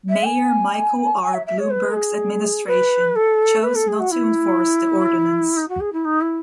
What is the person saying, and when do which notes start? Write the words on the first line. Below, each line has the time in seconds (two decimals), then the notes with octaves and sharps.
Mayor Michael R. Bloomberg's administration chose not to enforce the ordinance.
0.09 E5
0.25 G#5
1.21 G#5
1.34 E5
1.46 E5
1.58 C#5
1.70 B4
1.94 G#4
2.66 B4
3.15 A4
3.63 B4
3.75 A4
3.87 G#4
3.99 F#4
4.11 E4
5.56 D#4
5.68 F#4
5.80 G#4
5.92 E4
6.04 D#4
6.21 E4